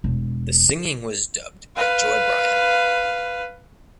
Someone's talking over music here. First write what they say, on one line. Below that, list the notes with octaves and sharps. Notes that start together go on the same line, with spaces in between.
The singing was dubbed by Joy Bryan.
E1
B4 F5